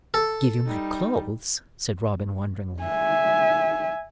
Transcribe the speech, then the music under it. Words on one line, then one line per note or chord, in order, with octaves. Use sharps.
"Give you my clothes?" said Robin, wonderingly.
A4
G3 D#4
E5 G#5